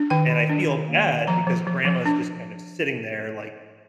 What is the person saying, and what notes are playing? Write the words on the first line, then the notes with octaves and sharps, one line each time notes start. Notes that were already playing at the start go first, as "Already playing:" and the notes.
and I feel bad because grandma's just kind of sitting there, like,
Already playing: D4
D#3 G5
D#3
D4
D#3
A#3
D#3
F3 A#5
F3
F3
F3
D4